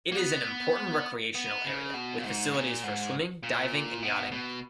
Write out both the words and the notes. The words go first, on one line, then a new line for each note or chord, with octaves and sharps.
It is an important recreational area, with facilities for swimming, diving and yachting.
A#3
B3
B3
C#3
B2
A#2
G#2
A#2
G#2
A#2
B2
B2